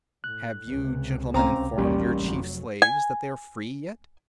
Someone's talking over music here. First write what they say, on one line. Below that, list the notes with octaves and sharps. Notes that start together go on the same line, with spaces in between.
"Have you gentlemen informed your chief-slaves that they are free, yet?"
A2 F#6
C#2 C3
C2 C4 C#4 F5 A#5 D6
A1 D#2 G3 A#3 C#4
F1 F#3
G#5